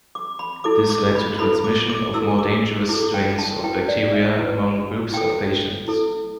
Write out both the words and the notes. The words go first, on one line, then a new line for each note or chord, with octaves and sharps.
This led to transmission of more dangerous strains of bacteria among groups of patients.
D6
B5
E4 A4 D6
D6
B5
E4 A4 B5
D6
D6
E4 A4 E6
D6
E4 A4 D6
G5
A5
E4 B4 G5
D5
E5
E4 B4
E4 A4 G5
E4 A4